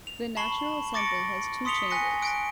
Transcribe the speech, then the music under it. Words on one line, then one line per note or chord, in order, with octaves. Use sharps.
The National Assembly has two chambers.
F7
A5 B5 C#6 C7 F#7 G7
C#6 D6 A6 A#6 C#7 D7
C6 D#6 B6 C#7 F7 G7
G#5 F#6 A#6 C#7
F#6 D7